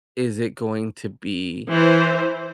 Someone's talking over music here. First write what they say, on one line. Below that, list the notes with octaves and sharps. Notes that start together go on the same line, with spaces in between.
is it going to be
E3 C5